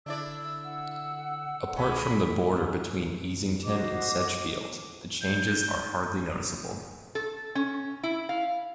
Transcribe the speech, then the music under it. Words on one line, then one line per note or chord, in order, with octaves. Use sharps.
Apart from the border between Easington and Sedgefield, the changes are hardly noticeable.
D3 D4 E4 D5 E6
F#5
C#2 F#3 G#3 B5
F#4 C5 D#5 D6
G6
A4
C#4
E4
F5